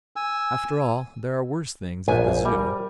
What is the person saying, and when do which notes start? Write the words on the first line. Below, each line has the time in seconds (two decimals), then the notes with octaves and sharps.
After all, there are worse things at the Zoo.'
0.16 G#5 E6
2.08 A#1 E2 E5 G#5
2.45 G3 A#4